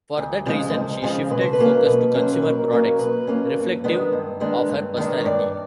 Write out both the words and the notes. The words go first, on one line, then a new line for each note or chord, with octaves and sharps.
For that reason, she shifted focus to consumer products reflective of her personality.
D2
C#3 F3 G#3
B4
D2 C5
C#3 F3 G#3
B2 B4
C5
B4
F#3 A#3 C#4
B2
F#3 A#3 C#4
C5
B4
B2 A#4
F#3 A#3 C#4
B2 B4
F#3 A#3 C#4
G2
D#3 G#3 B3 D4
G2
D#3 G#3 B3 D4
G2
D#3 G#3 B3 D4
C#5
G2 D5